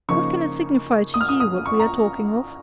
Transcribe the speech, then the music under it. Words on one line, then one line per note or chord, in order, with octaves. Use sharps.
What can it signify to you, what we are talking of.
C#3 F3 A#3 D#4 C#6
D#6
F6
D#6
D#6
C#6
A#5